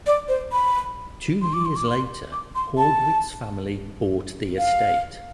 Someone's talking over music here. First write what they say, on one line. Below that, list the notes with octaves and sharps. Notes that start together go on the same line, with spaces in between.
Two years later Haugwitz family bought the estate.
D5
C5
B5
C6
D6
C6
D6
C6
D6
C6
A5
F5